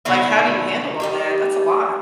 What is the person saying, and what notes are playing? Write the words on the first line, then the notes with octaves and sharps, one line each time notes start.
Like how do you handle all that? That's a lot.
B2 D3 D#3 E4
G3 D#4 G4